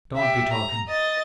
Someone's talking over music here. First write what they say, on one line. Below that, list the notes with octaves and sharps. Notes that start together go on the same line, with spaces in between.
Don't be talking!
G4 E5
A#5
D#5 A6